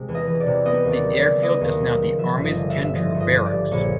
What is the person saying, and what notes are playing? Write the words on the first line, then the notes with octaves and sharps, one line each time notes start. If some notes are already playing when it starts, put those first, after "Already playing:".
The airfield is now the Army's Kendrew Barracks.
Already playing: C3 G#3
E2
D#5
E3
D5
C3
B3 D#5
D#2
D5
F#3
D5
C#3
B3 D#5
D#2
D#5
F#3
C#3
F3 E5
G1
D#5
D3
E5
G2
E5
F3 D#5
G1
D#5
D3
D5
G2
A#1 C#5